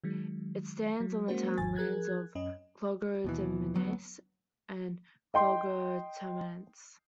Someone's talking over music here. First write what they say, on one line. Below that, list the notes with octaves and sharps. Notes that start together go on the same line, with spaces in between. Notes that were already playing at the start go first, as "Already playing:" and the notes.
It stands on the townlands of Clogher Demesne and Clogher Tenements.
D#3 F#3 G#3
F#3
G#3 A#3 C#4 F#4 C5
G#1 E2 G#2 D#3 G#5 A6
F3 G#4 A#4 F#6 G#6
F#2 C#4 D#5
D#2 B2 E3
D2 F#3 B3
D#5 G5 C6